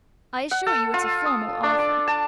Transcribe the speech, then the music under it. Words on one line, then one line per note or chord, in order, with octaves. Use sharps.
"I assure you it's a formal offer."
F#5
A4
F4
D#6
D4
D6
A5